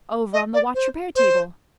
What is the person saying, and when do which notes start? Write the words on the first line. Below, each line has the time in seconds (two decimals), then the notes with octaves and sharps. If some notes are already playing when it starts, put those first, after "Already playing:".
"Over on the watch repair table."
0.32 D#5
0.53 D5
0.74 C5
1.15 C5